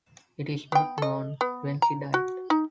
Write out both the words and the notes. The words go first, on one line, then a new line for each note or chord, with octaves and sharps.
It is not known when she died.
B3 G5
A4 D#5
B3
A#5
F#4
D#4